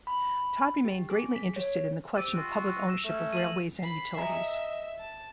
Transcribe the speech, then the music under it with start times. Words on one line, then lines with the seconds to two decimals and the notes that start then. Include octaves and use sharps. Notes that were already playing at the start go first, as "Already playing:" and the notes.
Todd remained greatly interested in the question of public ownership of railways and utilities.
0.07 B5
0.85 G4
1.10 G#4
1.35 B6
1.56 C#5
2.15 C4 G4 D6 E6 A6 D#7
2.34 G3 F4 F#4
2.87 A#6 E7
3.04 A3 C#4 E6
3.33 D#7 F#7
3.79 B5 C7
4.18 D#5 E5 G#5 A#5
4.99 A5